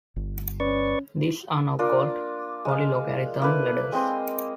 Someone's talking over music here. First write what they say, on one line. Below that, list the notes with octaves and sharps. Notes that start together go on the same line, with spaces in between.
These are now called polylogarithm ladders.
G1
C#4 B4 D5 C#6
A#3 D4 F4 A#4
G#3 F5
A#3 E4 A4 B4
G#3 C4 D#5 C6